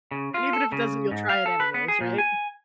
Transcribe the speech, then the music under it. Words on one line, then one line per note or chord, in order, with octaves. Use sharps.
And even if it doesn't, you'll try it anyways, right?
C#3
F4
A4
C#3
G#2
F5
A4
B4
B3
G#4
A#2
G#5